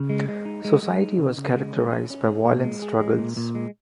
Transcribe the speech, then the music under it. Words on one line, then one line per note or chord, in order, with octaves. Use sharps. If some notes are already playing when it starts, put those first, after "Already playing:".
Society was characterized by violent struggles.
Already playing: C#3
G#3
G#3
D#4
G#3
G#3
D#4
C#3
C#3
G#3
C#4
C#4
C#4
G#4
A#2
G#3
G#4
G#3
A#2
A#2
G#3